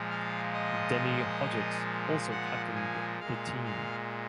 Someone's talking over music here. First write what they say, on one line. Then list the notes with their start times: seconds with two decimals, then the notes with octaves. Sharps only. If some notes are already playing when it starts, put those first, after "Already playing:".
Denny Hodgetts also captained the team.
Already playing: A#2 F3 G#3
0.10 F5
0.53 D#5
2.31 F#5
2.75 G#5
3.20 A#2 G#3 F5
3.65 F5